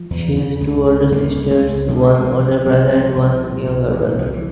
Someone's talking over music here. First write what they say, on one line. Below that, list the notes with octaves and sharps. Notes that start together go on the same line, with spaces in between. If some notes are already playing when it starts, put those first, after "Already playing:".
She has two older sisters, one older brother and one younger brother.
Already playing: F3
E2
C#3
C#2
C#3
C#2 G3 A#3
C#3
G#3 C4
C#2
C3 F3 G#3
C2 G#3 C4
E3
C3 F3
C2 F3 G#3
C3
C2
A#2
C2
A#2
C2 F3
E3